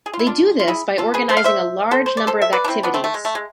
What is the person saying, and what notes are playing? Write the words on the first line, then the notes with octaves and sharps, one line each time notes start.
They do this by organising a large number of activities.
G#4
F4
E4
D4 F4
F4
E4 G#4
F4 A4
G#4 B4
A4 C5
F5
C5 E5
A4 C5
C5
D5
A4 C5
E5
B4 D5
D4
C4 E4
B3 D4
A3 C4
A3
G#3
A3
G#3